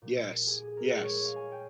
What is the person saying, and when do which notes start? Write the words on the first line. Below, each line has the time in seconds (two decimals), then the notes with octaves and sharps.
Yes, yes,
0.02 A#2 G3
0.47 G#4
0.62 G#4
0.77 A#4
0.92 A#2 G#3
1.03 C#5
1.14 D#5
1.25 F5
1.36 G#5
1.52 G5